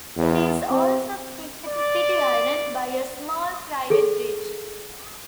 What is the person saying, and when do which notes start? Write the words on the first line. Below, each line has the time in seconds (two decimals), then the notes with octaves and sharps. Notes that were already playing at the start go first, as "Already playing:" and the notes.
It is also connected to City Island by a small private bridge.
0.17 E2
0.71 C4
1.65 D5
3.90 G#4 A4